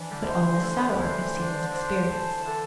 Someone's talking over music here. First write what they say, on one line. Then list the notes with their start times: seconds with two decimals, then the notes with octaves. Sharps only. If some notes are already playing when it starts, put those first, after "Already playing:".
But all is sour, if seen as experience.
Already playing: E3 D4
0.11 D3 G3
0.24 C5
0.36 E3
0.60 E3 A3 D4
0.88 G3
0.97 E3 C5
1.35 D3 D4
1.72 D3 C5
2.08 E3 A5
2.45 D3 A4